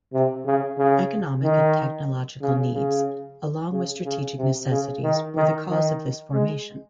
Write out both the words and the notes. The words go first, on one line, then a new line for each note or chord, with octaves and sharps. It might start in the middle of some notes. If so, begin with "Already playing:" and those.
Economic and technological needs along with strategic necessities were the cause of this formation.
C3
C#3
C#3
D#3
C#3
C#3
C#3
C#3
C3
C#3
D#3
D#3
D#3
G#3